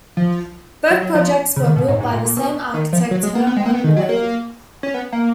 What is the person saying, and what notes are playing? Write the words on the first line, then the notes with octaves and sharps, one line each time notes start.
Both projects were built by the same architect, Hermon Lloyd.
F3
F#3
F#3
F3
C#3
D#3
B2
G#2
G#2
A#2
A#2
B2
D#3
F3
F#3
G#3
A#3
B3
G#3
A#3
B3
D#3
F#3
A#3
C#4
B3
A#3